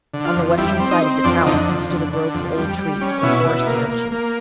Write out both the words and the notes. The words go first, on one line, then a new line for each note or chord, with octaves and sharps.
On the western side of the tower stood a grove of old trees, of forest dimensions.
D3
F4
F2
G3 E4
C4
D#4
C4
F2 D4
D3 D#4
F2
D3
D3
F2
G3
G3
C#4
B2 E4
B2
A#3
A#3
A#3